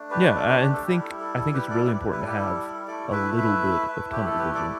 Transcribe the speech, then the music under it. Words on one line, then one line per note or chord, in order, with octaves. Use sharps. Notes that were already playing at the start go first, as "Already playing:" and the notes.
Yeah, a and think I think it's really important to have a little bit of tunnel vision.
Already playing: A3 D4
G4 B4
B4
A4 D5
G4 B4
G4
A4
G3 E4 G4
A4
A4
A4
G4 B4
A4 D5
G3 E4 G4 B4
B4
A4
G4
A4
A3 E4 A4 D5
B4 E5
B4 E5
A3 E4
G4
A4
G4 B4
A4 D5